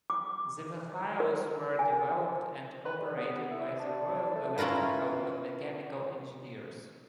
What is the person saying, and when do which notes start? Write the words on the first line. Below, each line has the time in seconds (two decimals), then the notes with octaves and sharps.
The vehicles were developed and operated by the Royal Electrical and Mechanical Engineers.
0.10 D6
1.20 A#4
1.79 G#5
2.85 B4
3.00 G3
3.17 B3
3.51 E4
3.80 D4
4.35 A3
4.58 C#4 E4 F4 A#4 B4